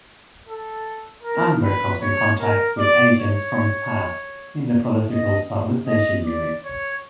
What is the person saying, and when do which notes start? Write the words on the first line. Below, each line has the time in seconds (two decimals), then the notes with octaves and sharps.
Ambler comes in contact with agents from his past in the Political Stabilization Unit.
0.47 A4
1.23 A#4
1.62 B4
2.01 C#5
2.40 A#4
2.79 D5
3.17 C#5
5.10 D#5
5.87 D#5
6.25 D5
6.64 C#5